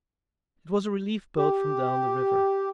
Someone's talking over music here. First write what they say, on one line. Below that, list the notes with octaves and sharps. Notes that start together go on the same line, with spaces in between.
It was a relief-boat from down the river.
G4